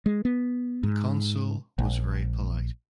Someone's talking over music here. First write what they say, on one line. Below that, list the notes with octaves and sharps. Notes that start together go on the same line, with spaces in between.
The consul was very polite.
G#3
B3
G#2
A#1